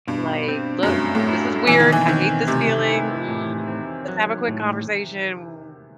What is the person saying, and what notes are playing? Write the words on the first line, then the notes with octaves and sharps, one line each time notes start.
like, "Look, this is weird, I hate this feeling, L let's have a quick conversation. W
G2 B2
C4
F#2
G2 A3
A2
E4
B2 E3
D#3
E3
D#3 C4
C3 A3
E4
A2
C4
F#3
A2